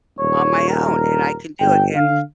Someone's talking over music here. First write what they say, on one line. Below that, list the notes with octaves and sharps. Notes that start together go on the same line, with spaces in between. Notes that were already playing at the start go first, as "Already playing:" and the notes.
On my own, and I can do it, and
D#1 C#5
A#4
G1 G5
D3 F5